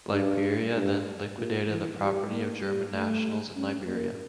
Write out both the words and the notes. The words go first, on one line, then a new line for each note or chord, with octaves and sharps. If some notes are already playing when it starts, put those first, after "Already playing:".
Liberia then liquidated the property of German nationals in Liberia.
G2
G2
A#2
E3
G3
A#3
G3
A3
C#4
A#3